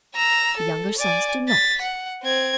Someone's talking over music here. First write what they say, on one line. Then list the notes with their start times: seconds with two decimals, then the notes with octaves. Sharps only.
The younger sons do not.
0.14 A#5 E6
0.57 A4
0.97 D5 G#5
1.48 A6 B6
1.81 F#5
2.23 C4 G#6